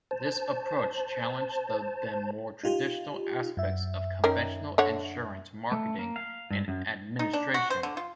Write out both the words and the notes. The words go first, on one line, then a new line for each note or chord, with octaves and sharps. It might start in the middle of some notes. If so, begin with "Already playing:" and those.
This approach challenged the then more traditional aspects of conventional insurance marketing and administration.
C5 A5
D#4 F4 G4
F#2 E5
D#3 C#4 A#4
D3 C#5 F#5
A3
A#3
F5
G2
F#2
D#4
D4
F#4
C5
D3
F4